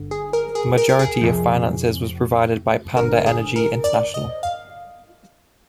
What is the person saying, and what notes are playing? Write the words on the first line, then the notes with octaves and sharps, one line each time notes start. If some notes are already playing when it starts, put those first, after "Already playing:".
The majority of finances was provided by Panda Energy International.
Already playing: G1 G2 D3
G#4
A#4
G#4
A#4
A#4
G#4
F2 C3 F3
G1 G2 D3 A#4
G#4
A#4
D5
D#5
F5